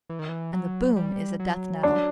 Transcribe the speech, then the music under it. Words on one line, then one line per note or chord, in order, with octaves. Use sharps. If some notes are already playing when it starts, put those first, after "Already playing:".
And the boom is a death-knell.
E3
D#3
E3
F#3
G3
F#3
D4